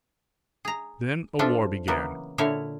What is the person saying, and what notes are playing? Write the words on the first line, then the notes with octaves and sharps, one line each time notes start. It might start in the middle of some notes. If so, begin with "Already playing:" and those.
Then a war began.
G#4 A#5
F3 D4 F4 A4 E5
C#3 E3 F#3 A#3 B3
A#2 D3 E4 C#5 E5 F5